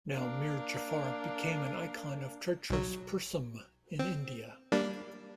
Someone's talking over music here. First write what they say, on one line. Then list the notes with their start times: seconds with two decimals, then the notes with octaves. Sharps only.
Now Mir Jafar become an icon of treacherous persom in India.
0.12 A#3 D4
2.70 B1 F#3
3.99 C4
4.72 G3 A#3 D4